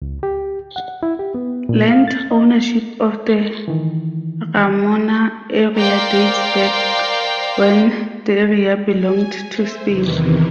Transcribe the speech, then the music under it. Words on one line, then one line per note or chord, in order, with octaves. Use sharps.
Land ownership of the Ramona area dates back when the area belonged to Spain.
C#2
G4
F#5
E4
G4
B3
A#2
F5
A6
D#5
D#3 E3
A#4 C5 D5 F5 G5
G#5
C5 E5
E2 C3 D#3 E3